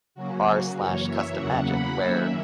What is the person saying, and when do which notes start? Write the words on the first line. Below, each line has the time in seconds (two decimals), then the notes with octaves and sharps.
r/custommagic, where,
0.15 C#3 F#3 A#3 C#4 F#4
0.76 F#2 E3 A#3 C#5
1.07 E5
1.38 E2 C#3 F#3 A#3 F#5
1.69 B5
2.00 F#2 D#3 A#3 C#4 E5